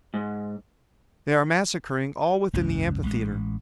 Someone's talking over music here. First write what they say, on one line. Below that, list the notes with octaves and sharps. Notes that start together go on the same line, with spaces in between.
They are massacring all within the amphitheatre.
G#2
F#1 C#2 G#2 C#4
A1 G#3